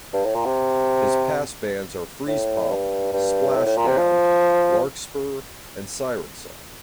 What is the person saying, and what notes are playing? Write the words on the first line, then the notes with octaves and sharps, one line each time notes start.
His past bands are Freezepop, Splashdown, Larkspur, and Sirensong.
G2
A2
A#2
C3
A2
G2
G2
A2
A2
A#2
C3
F3